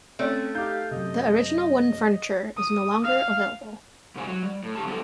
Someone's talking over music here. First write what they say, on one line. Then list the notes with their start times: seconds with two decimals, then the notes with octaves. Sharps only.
The original wooden furniture is no longer available.
0.19 A3 C4 C#4
0.55 D#4 G4 F5 G6
0.91 F#2 C3 D#5
2.57 D#6
3.04 F5 F6
4.15 G#2 C3 F#4 C5 G#5
4.28 F#3
4.43 G3
4.63 A2
4.75 E2 D3 G4 A5
4.87 F#3 G3 B3 G#4 A4 C5